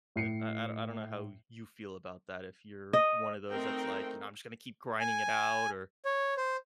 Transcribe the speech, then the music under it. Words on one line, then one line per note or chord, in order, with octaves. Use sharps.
and I I I don't know how you feel about that if you're one of those that's like, you know, "I'm just gonna keep grinding it out," or
A2 C7 C#7
D#5
A3 C4 D#4 A#4 G5
G#5
C#5
C5